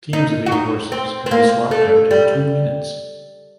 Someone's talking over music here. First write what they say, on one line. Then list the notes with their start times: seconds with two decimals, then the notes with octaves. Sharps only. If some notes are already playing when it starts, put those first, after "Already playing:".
Teams of eight horses could be swapped out in two minutes.
0.13 D#4
0.46 F#4
0.52 D#4
0.92 C4
1.26 C4
1.31 A#3
1.71 A3
2.11 G3